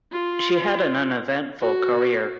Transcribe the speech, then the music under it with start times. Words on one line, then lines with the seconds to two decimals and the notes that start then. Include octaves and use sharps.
She had an uneventful career.
0.12 F4
1.60 F#4